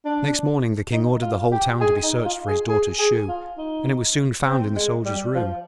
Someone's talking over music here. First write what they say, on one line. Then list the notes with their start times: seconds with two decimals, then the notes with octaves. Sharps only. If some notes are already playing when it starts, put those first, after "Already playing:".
Next morning the King ordered the whole town to be searched for his Daughter's shoe, and it was soon found in the Soldier's room.
0.05 D4
0.93 D#4
1.22 F4
1.52 G4
1.81 G#4
2.04 D#4
2.25 F4
2.48 G#4
2.69 G#4
2.99 G#4
3.29 F4
3.58 D#4
4.46 C4
4.76 G#3
5.05 G3
5.35 F3